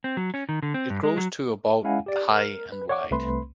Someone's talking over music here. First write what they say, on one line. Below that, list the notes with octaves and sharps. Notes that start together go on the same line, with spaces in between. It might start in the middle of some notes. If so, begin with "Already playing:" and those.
It grows to about high and wide.
C4
F#3
C#4
D#3
D3
C4
G2
G#3
F#3
G#3 C#4 E4 F5 F#5 G#5
G4 D5
A#4 F6
B4
C#5 D5 F#5 C#6 D6
C2 A3 C4 B4 B5 C6